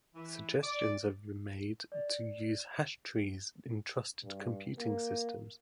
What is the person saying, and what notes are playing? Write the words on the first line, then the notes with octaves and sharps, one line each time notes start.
Suggestions have been made to use hash trees in trusted computing systems.
E3
D5
D5
G2
A#3